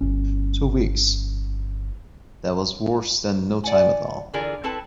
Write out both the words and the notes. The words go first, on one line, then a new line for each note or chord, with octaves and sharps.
Two weeks — that was worse than no time at all.
G1 C#4
D5 F#5 G#5
D3 E3 F4 G#4 A#4 D5
C4 E4 A4 B4 A5